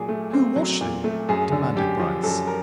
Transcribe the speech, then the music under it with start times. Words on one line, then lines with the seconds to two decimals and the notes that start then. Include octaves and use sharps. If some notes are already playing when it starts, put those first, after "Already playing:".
"Who was she?" demanded Bryce.
Already playing: A#2 F#3 G#4
0.09 A3
0.33 C4
0.56 F#3
0.81 A#2
1.04 A3
1.29 F#2 G#4
1.52 D3
1.76 F#2 G4
2.00 F3
2.24 F#2 A4
2.47 A#4